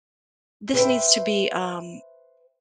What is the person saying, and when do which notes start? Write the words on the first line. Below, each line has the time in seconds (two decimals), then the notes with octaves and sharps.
This needs to be, um,
0.74 B4 C5 E5 G5